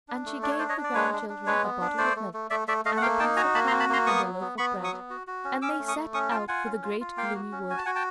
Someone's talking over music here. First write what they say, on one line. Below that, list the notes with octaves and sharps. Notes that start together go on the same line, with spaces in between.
And she gave her grandchildren a bottle of milk and a piece of ham and a loaf of bread, and they set out for the great gloomy wood.
D4
A3
D4 D5
C#5
D4 C5 D5
C#5 D#5
D4
D5
G#3 B4 C#5
D4
D4
G#3 B4 C#5
B3
D4
A3 C5 D5
A3
A3
A3 D5 E5
A3 D5 E5
A3 D#5 F5
F#5
A#3 F5 G5
D#4 G5 A5
F#4 G#5 A#5
A#3 A5 B5
A#5 C6
F#4
A5 B5
A#3 A#5 C6
B3 C#6 D#6
F#3
B3
B3 B5 C#6
F#3
C#6 D#6
B3
F#4
F#4
C#4
C#4 D6 E6
A3
C#6 D#6
A3
C#4 C#6 D#6
F4 G5 A5
F4 F#5 G#5
C#4
F4
F4
A#3 F5 G5
F#4
C#4
F#4 G#5
A5
F#4 F#5 G#5
G5 A5